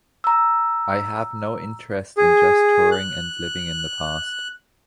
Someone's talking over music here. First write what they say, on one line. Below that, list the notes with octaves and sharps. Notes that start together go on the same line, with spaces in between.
I have no interest in just touring, and living in the past.
A#5 E6
G#4
F#6